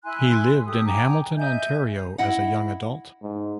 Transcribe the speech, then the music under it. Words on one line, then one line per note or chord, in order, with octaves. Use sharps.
He lived in Hamilton, Ontario, as a young adult.
E4 G#5 C6 F#6
G4 A4 D#6
G5 G#5 A#5 D6
D#5 E5 G#5 G6
E4 D#5 E5 F#5
G#2